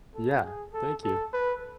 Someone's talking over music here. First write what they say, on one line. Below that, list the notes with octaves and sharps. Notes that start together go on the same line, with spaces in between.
Yeah, thank you.
A4
G#4
A4
A4
B4